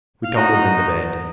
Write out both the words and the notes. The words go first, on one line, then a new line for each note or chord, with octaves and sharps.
We tumbled into bed.
F5
D#4 F#4 D#5
D#4